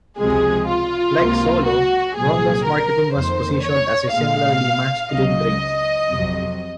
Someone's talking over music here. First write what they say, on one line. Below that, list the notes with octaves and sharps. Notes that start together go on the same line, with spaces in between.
Like Solo, Rondo's marketing was positioned as a similarly masculine drink.
C#2 C3 F3 G#3 G#4
F4
C#2 C3 F#3 A#3
F#4
C2 A#2 F#3 G#4
A#4
F2 D#3 A#3 C5
C#5
A#2 G#3 F5
C#2 C#3 F#3 D#5
F2 C3 F#3